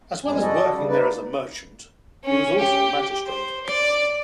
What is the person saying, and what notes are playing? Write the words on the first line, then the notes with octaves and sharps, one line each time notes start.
As well as working there as a merchant, he was also a magistrate.
F2 G#2 G3 G#3 G#5
F#4 A4 D5 D#5
C#3 G3
A#3 D#4 B4 D5
C#4
G4
C5
D5